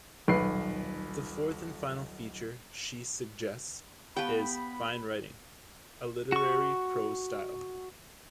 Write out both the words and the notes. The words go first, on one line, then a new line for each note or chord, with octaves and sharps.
The fourth and final feature she suggests is "Fine writing: a literary prose style".
D#1 B1 B4 C7
B3 G4 B4 F5 G5 A5 B5
F#4 C#6